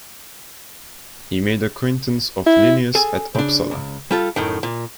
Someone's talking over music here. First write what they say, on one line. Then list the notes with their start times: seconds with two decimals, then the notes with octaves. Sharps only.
He made the acquaintance of Linnaeus at Uppsala.
2.46 E4
2.95 G#4 A4 G#5
3.35 C#3 D4
3.71 C#2
4.11 G3 F4 A4
4.36 F#2 A2 D#3
4.63 A#2